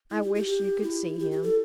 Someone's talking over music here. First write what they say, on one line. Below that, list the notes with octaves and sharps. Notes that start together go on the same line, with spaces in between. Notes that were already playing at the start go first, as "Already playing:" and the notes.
I wish you could see him!
E4
G4
G4
G4
E4
G4
G4
A4